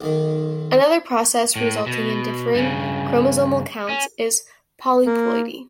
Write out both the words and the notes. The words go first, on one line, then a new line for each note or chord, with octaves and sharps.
Another process resulting in differing chromosomal counts is polyploidy.
B1 D#3
A2
B2
G2 C#3
C#4
A#3